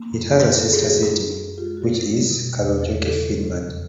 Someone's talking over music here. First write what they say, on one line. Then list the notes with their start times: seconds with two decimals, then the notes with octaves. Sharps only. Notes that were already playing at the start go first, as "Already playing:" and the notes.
It has a sister city, which is Kalajoki, Finland.
Already playing: A#3
0.11 F#2
0.35 F#2
0.60 F#2 A4
0.69 G#4
0.78 G4
0.85 F#2 F#4 G#4
1.09 F#2
1.33 F#2
1.57 G#3 F4 G4
1.77 F#4
1.81 F#2 F4 G4
2.06 G3
2.31 B2
2.55 E2
2.79 E2
3.04 C#3 G4 A4
3.28 F3
3.52 F2